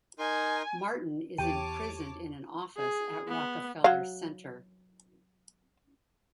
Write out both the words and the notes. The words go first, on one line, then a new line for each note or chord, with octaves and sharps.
Martin is imprisoned in an office at Rockefeller Center.
D#4 A#4 G#5 C6
E2 E3 G4 C#5 G5 A5 D6 D#7
G#4
B3
F#3 F5